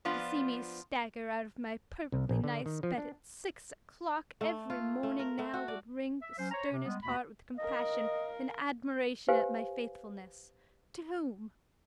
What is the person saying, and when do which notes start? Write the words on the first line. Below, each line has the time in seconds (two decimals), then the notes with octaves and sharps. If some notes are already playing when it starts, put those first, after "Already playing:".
To see me stagger out of my perfectly nice bed at six o'clock every morning now would wring the sternest heart with compassion and admiration at my faithfulness--to whom?
0.05 F3 B3 D4 F4
2.12 C2
2.29 A#1
2.44 D3
2.66 D#3
2.83 F3
2.98 D4
4.41 A3
4.70 F4
5.03 A3
5.19 A#4
5.39 A3
5.54 F#4
5.68 D5
6.22 E5
6.37 F#3 C#4 C5
6.52 C5 C#5 A#5
6.71 C3
6.85 G3 G#3 B3
7.03 D#2 B2 A3 F#4 B5
7.58 A#4 D#5 F5
9.28 G4 B4 C5 F5 G#5